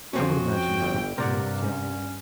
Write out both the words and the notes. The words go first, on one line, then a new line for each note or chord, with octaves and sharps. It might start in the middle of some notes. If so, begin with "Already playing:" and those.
I would imagine there probably is, yeah.
F2 C4 C#4 F#4
G5
G1
G2 C3 A#4 D5 F#5
C#4